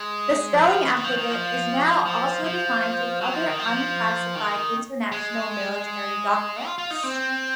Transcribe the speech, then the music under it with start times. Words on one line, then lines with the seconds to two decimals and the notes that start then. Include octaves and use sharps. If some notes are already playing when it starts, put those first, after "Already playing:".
The spelling alphabet is now also defined in other unclassified international military documents.
Already playing: G#3
0.53 F3
0.91 D#3
1.04 F3
1.17 D#3
1.30 F3
2.05 F3
2.44 F3
3.21 F#3
3.33 F3
3.46 D#3
3.59 F3
4.35 D#3
5.12 G#3
6.65 F4
6.78 F4
6.90 D#4
7.03 C4